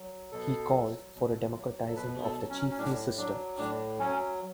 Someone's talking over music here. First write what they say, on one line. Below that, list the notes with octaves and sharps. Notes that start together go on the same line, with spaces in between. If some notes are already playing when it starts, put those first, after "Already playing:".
He called for a democratizing of the chiefly system.
Already playing: F#3
B2 A4
F#3
B2
F#3
A4
B2 B4
A4
F#3
C#4
C#4
A2 D4
F#3 D4
A2 D4
F#3 C#4